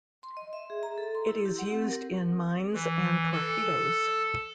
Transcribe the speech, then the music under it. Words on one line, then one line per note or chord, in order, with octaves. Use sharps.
It is used in mines and torpedoes.
C6
D#5
E5
G#4
A#5
A4
C6
E4
G4
F#5
C4
A#4
E3
A4